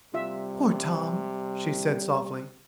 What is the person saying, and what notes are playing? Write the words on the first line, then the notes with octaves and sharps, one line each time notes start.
"Poor Tom!" she said softly.
C3 G3 F4 E5